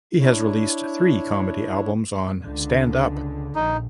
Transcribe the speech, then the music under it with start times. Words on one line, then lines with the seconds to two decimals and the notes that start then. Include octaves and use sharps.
He has released three comedy albums on Stand Up!
0.20 D4 E4 C#5
2.41 C#2 D3
3.55 A#1 D#4